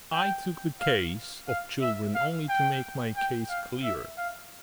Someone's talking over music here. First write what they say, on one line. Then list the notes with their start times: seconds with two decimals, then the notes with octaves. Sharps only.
I took the case of children only to make my case clearer.
0.13 G5
0.81 F5
1.48 F5
1.81 E5
2.15 F5
2.49 G5
3.17 G5
3.50 F5
3.84 E5
4.18 F5